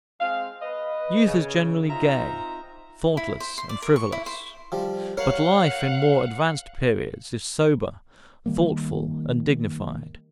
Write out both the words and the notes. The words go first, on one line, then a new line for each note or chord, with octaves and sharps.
Youth is generally gay, thoughtless, and frivolous; but life, in more advanced periods, is sober, thoughtful, and dignified.
G#3 C4 F5
B4 D#5
C#3
C4 D#4 F4 E5 A#5
E4
C5
C6
D5
A#4
C#6
E4
C5
F3 G3
A#4 C#5 F5 F#5
D#3 G3 A#3